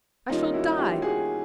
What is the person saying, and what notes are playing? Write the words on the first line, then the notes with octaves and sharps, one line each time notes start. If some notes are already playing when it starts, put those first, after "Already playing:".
I shall die!
D#3 G3 A#3 C#4 D#4 F4
E4 F#4
F4 G4
F#4 G#4